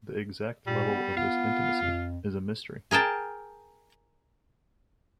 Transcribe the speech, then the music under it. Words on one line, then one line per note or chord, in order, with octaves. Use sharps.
The exact level of this intimacy is a mystery.
A#2 G3
B3
B3 F4
F2
G#4 A#4 G5 A5